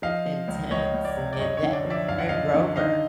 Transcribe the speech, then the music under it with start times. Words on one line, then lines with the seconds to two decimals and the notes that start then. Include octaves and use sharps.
Intense. It that Red Rover.
0.02 F3 D#5 F5
0.26 F3
0.48 C#2
0.71 C#2 C#5 D#5
0.94 C#2
1.05 D5
1.17 C3
1.33 D5
1.39 F#2 C#5 D#5
1.57 C#5
1.63 D3
1.73 D5
1.85 F3
1.90 D5 E5
2.09 F#2 F5
2.18 F#5
2.29 F3 D#5 F5
2.54 D3
2.76 D#3 D#5 F5